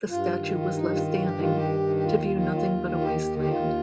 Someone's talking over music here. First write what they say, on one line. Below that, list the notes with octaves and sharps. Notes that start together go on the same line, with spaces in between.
The statue was left standing, to view nothing but a wasteland.
G2 F4
D#3
G2 F4
D#4
D#3
F4
G2 F4
G4
D#3
F4
G2 G4
D#3
G4
D#2 F4
F4
D#3
F4
D#2 F4
D#3
D#2 G4
D#3
G4
D#2 F4